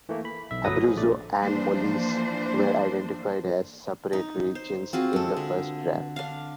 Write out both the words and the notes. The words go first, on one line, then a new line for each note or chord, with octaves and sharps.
Abruzzo and Molise were identified as separate regions in the first draft.
E3 A3 A#3
B5
B1 E5
G1 F#3 A3 B4 D#6 A#6
F3 G#4
A#1 A3 D5
E3 F3 A#3 D4 C5
D#4
C5
C4 F4 F#4 G#4
G#3 A4
D3
D4 F5